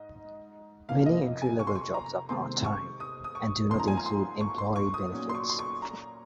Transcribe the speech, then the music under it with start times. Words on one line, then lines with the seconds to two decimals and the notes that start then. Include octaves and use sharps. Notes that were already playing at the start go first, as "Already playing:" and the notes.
Many entry-level jobs are part-time, and do not include employee benefits.
Already playing: G#2 D#5
0.89 F2 C3 F3 A#3 C#4 F5
1.06 D#5
1.42 G#5
1.59 C#6
1.67 C6
1.76 C#6
1.94 A#5
2.29 C3 D#3 G#3 C4 C6
2.64 C#6
3.00 D#6
3.24 D#6
3.35 C#6
3.70 G#2 F3 A#3 C#4 C6
3.80 A#5
3.88 G#5
3.97 A#5
4.06 C6
4.41 C#6
4.58 C6
4.76 C#6
4.94 D#6
5.11 A#2 F#3 C#4
5.29 C6
5.35 C#6
5.50 C6
5.59 C#6
5.82 A#5